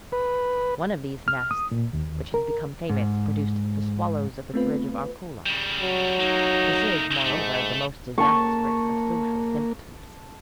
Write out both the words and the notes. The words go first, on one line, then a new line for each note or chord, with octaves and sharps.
One of these nests, which has become famous, produced "the swallows of the bridge of Arcola." This is, moreover, the most disastrous of social symptoms.
B4
F6
D#6
A#2
D#2
A#4
G#2
A3 B3 C4 F4 B4
C#3 G3
F#3
A3 A#3 D#4
G#2 A3
A#3 A5 C#6